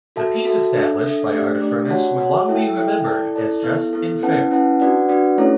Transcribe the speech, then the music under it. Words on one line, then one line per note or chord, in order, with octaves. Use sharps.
The peace established by Artaphernes would long be remembered as just and fair.
F#4 A4 E5 A5
F#4 A4 E5 A5
D4 A4 E5
D4 A4 E5
A3 D4 G4 D5
A3 D4 G4 D5
F#4 C#5 F#5 A5
F#4 C#5 F#5 A5
E4 A4 E5 G5
E4 A4 E5 G5
E4 A4 D5 A5
E4 A4 D5 A5
B3 E4 A4
B3 E4 A4
C#4 E4 B4 F#5 A5
C#4 E4 B4 F#5 A5
D4 F#4 B4 D5 F#5
D4 F#4 B4 D5 F#5
A3 C#4 E4 A4 C#5